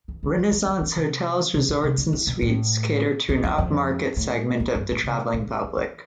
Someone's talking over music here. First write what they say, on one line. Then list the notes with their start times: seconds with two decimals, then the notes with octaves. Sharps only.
Renaissance Hotels, Resorts and Suites cater to an upmarket segment of the traveling public.
0.08 E3
0.23 E3
0.37 F3
0.52 F3
0.66 E3
0.81 E3
0.96 C3
1.54 C3
1.68 B2
1.83 C3
1.98 D3
2.13 E3
2.27 B2
2.42 A2
3.29 F2
3.44 F2
3.58 F2
4.17 A2
4.60 F2
4.75 G2
4.90 A2
5.04 C3
5.34 B2
5.48 E3
5.63 F3
5.77 E3